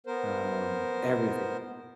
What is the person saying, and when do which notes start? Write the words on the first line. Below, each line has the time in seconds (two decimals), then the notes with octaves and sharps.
um, everything.
0.07 B3 A#4 C5